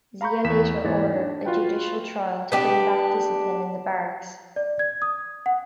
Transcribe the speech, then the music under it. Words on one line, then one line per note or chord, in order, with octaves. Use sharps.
Zia later ordered a judicial trial, to bring back discipline in the barracks.
F5 A#5 B5 C#6 G6
E2 B6 E7
G#2 E3 G#3 A#3 C#5 A6
D4
F4 F#4 B4 G5
B3 D4 G4
D5
G#6
D#6
F#5